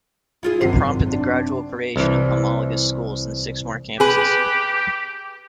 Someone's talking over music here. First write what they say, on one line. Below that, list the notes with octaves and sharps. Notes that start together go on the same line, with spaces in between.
It prompted the gradual creation of homologous schools in six more campuses.
E4 F4 G#4
G#1 F#2 C3 F#5 C7
D4
C2 E3
G4 G#4 B4